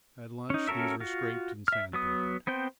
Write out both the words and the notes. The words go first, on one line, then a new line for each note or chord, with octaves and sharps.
At lunch these were scraped and sand-papered.
C#4 D#4
C#4 F#4 A4 A#4 E5
F4 F#4
E5 F6
F#3 B3 D#6
B3 C4 C5 G5